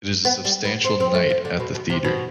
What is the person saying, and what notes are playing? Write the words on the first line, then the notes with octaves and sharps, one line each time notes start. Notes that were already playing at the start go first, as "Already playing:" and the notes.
It is a substantial night at the theatre.
B3
G3
B3
C4
C4
A3
F3
D3
B2
B2
C3
B2